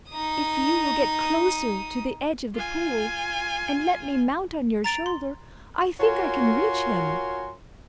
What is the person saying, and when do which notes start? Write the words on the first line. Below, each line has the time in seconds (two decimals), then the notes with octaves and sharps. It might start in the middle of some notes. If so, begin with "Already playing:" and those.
If you will get closer to the edge of the pool, and let me mount on your shoulder, I think I can reach him.'
0.10 D#4 D#6
2.55 F4 G#5
4.84 A#5 A6 D7 F7
5.06 C6
6.00 F4 F#4 A#4 C#5 G#5 C6